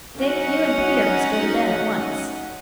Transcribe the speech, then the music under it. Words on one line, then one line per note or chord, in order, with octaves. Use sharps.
Dick, you and Peter must go to bed at once.'
F#3 C#4 D#4 D#5 F#5